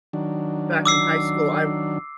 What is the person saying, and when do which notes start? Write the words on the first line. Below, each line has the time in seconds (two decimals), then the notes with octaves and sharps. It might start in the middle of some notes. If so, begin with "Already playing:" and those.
back in high school, I
0.13 D#3 F#3 D4
0.86 D6 E6 C7